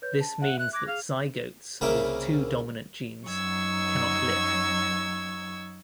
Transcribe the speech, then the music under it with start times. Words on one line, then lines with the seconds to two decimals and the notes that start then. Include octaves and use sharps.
This means that zygotes with two dominant genes cannot live.
0.02 B4 C#5 G6
0.20 A5
0.41 E5 F#5
0.59 F#6
0.73 D6 F#6 G#6 A#6
0.87 G#4 F5
1.81 C2 C#3 A#3 E4 E5 G5
3.27 F#2 F#3 D#4 C#6 E6 G#6